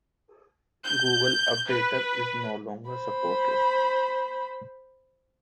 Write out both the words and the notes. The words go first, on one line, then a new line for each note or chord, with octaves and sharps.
Google Updater is no longer supported.
G6
B4
C5 B5